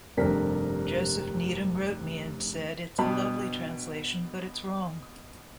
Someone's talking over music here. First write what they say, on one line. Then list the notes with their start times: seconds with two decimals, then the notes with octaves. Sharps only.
Joseph Needham wrote me and said "It's a lovely translation, but it's wrong".
0.17 F1 G2 C3 A4 A#4 B6
2.98 G2 B2 B3 B5